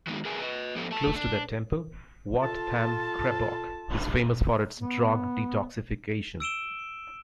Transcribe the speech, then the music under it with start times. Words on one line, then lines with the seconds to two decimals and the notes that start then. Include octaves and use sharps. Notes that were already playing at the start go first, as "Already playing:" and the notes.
Close to that temple, Wat Tham Krabok is famous for its drug detoxification.
0.07 D#3 F#3 G#3 B3 D#4
0.25 G#4 A#4 B4 E5 G#5
0.40 B4 D#5
0.75 G#2 F3 B3 G4 A4 C5
0.91 A3 A5
1.16 D4
2.42 F4 A4 A5
4.79 B3
6.40 E6 D7 E7 G7